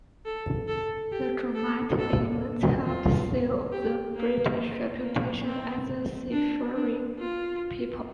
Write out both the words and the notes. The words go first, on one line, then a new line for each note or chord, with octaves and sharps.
The dramatic events helped seal the British reputation as a seafaring people.
A4
A4
G4
A4
A4
F4
G4
A#3
A#3
C4
D4
D4
F4